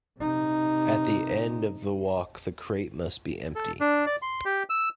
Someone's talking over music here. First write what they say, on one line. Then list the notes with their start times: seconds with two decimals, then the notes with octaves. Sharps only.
At the end of the walk the crate must be empty.
0.19 C3 D#4
3.56 A4
3.80 D4
4.06 D5
4.22 C6
4.45 G4
4.70 E6